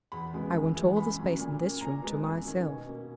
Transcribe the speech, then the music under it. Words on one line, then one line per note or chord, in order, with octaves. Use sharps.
I want all the space in this room to myself!
E2 B5
C#3 G#3 B3
F#2
E3 G#3 B3
F#2 B5
C#3 F#3 C#4
A#2
A#3 C#4
A#2 A#5
G#3 B3
F#2
D#3 A#3 C#4
B2
A#3 C#4